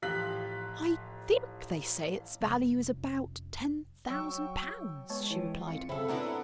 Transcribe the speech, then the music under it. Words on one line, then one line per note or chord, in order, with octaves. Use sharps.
"I think they say its value is about--ten thousand pounds," she replied.
A1 F3 F4 G4 F#6 B6
F1 F#2
F#3 G5 C#6 E6
G#3 B3 C#5 A5
E3
F2 F4 C#7
F#2 C#3 C4 A4 E5 B5
B3 D4 E4 F#4 A#4 B4 A#5